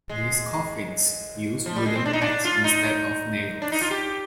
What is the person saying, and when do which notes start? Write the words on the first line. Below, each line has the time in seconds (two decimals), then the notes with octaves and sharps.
These coffins use wooden pegs instead of nails.
0.09 G#3
1.66 F3
1.76 G3
1.86 G#3
1.95 C4
2.06 D4
2.13 D#4
2.22 D4
2.45 F4
2.64 D#4
3.62 D4
3.72 D#4
3.81 F4
3.91 G4